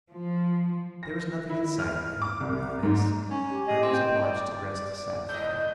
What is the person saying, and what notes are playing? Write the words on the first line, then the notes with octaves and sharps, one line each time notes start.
There was nothing in sight, and with this I was obliged to rest satisfied.
F3
A#6
E4
F6
D6
C2
G#2
C#4
G4
G4 G#4 D#5
C4
G5
D5
G#2 D#5 G6